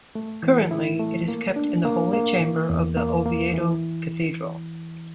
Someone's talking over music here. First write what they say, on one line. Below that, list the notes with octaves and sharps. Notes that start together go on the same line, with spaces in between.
Currently, it is kept in the Holy Chamber of the Oviedo Cathedral.
A3
E3
E4
A3
A#3
D4
A#3
A#3
E3
E2
A#3
A#3
E3